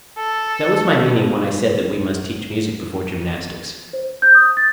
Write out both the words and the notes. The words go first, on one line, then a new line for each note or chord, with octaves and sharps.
That was my meaning when I said that we must teach music before gymnastics.
A4
C5
G6
D#6
A6